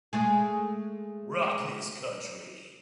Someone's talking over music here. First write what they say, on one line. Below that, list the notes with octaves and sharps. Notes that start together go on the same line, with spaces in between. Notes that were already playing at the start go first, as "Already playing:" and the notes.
Rock This Country!
G#3 A3 G#4